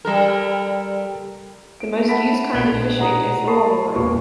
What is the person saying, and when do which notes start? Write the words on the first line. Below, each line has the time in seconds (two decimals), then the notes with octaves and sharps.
The most used kind of fishing is the longline.
0.05 G3 A4 A#4
1.80 D7
2.08 E5 F#5 A5 B5 B6 D7
2.53 A#1 B2 F#6 G#6 D7 G7
2.98 G#4 F#5 A#5 D#6
3.47 A5 B5 C#6 D#6 C7
3.94 E1 A#2 B3 F#4 G4 C#6